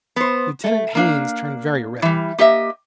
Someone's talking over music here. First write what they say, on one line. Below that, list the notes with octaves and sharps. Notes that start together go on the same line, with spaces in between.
Lieutenant Haines turned very red.
B3 C5
A3
A#3 D4 F5
E3 G3
A#3 G4 D#5 E5